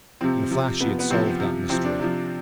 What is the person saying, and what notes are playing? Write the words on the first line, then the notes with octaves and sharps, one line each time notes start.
In a flash he had solved that mystery.
C3 F3 C4
C3 F3
C3 F3 B3
B3
C3 F3 C4
C3 F3
C3 F3 C4
D4
C3 F3